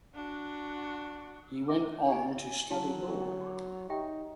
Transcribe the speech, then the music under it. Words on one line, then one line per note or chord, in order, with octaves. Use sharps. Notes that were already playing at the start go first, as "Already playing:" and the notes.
He went on to study law.
D4 F#4
E4 E5 D6
G4 G#5
F#3 E4 F#4 A5
D#4 G4 E5 G5